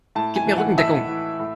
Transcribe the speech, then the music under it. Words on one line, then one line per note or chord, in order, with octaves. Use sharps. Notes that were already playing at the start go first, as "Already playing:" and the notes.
Gib mir Rückendeckung.
A2 A5
G#5
E3
F#5
A2 E5
E3
A2